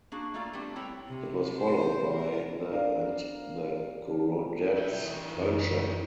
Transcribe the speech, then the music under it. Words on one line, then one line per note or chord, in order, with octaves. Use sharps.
It was followed by the and the Gorodets culture.
A#3 D4 F#4 G#4
A3 A#3 F4 A4 D5 F5
G3 A3 B3 C4 D4 G4
C4 E4 A4 B4 C#5 G5
C3
C5
A#4
D4 A#4 F5
E4 G5
E3 D#4
F#2